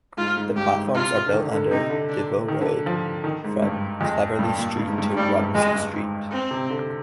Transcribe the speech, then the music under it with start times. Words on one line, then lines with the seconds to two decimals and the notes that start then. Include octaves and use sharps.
The platforms are built under Des Voeux Road from Cleverly Street to Rumsey Street.
0.17 G#2 F4
0.37 G#2
0.56 G2 G4
0.75 G#2
0.94 C3 F4
1.26 D3
1.33 D#3
1.52 D3
1.71 C3 D#4
1.90 D3
2.09 D4
2.48 D#3
2.61 D3
2.86 F3
3.24 D#3
3.44 G#2
3.62 G2
4.01 F2 G#3
4.39 G2 G3
4.58 A#2
4.78 G2
4.88 G#2
4.98 G2
5.09 G#2
5.17 G2 G3
5.29 G#2
5.40 G2
5.54 F2 G#3
5.74 G2
5.93 G#2
6.31 C4
6.51 C3
6.70 D3